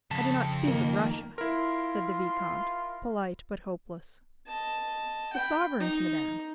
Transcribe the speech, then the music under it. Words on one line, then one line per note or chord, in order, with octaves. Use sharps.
I do not speak of Russia," said the vicomte, polite but hopeless: "The sovereigns, madame...
F2 C#3 A5
D#3 A#3
E4 F4 A#4 C6
D#5 A5
G5 B5
D#4